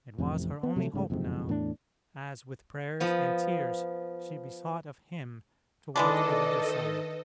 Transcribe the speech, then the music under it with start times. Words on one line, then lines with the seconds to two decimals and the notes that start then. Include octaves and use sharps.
It was her only hope now, as with prayers and tears she besought of Him to watch over her son.
0.18 A1 F2 C3
0.63 B3
0.76 C3 F#3 G#3 A3
0.93 G#2 C#3 A3
1.10 F#1 F2 G#2 C3
1.48 E2 A2 A#3 D4
3.00 F3 B3
5.96 D#3 E3 G#3 D4 A4 B4 D5 D#5